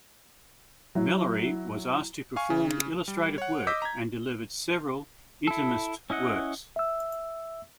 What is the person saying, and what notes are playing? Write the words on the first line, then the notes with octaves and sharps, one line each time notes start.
Mellery was asked to perform illustrative work and delivered several intimist works.
F#3 E4
F5 G#5 C#6
C#3
G3
C#5 F#5
D#5 D6 E6 G6 B6
A#5 G#6
E4 A4
C#4 E4 D#5 F#5
E5 E6